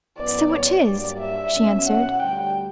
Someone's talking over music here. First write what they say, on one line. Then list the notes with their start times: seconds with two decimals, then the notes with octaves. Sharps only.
"So it is," she answered.
0.18 F#2 E3 B3 D5
0.52 C#5
0.85 G2 F#3 A#3 D4 G4 D5
1.19 E5
1.53 B2 F#3 C#4
1.87 F#5
2.20 D2 D3 G3 G5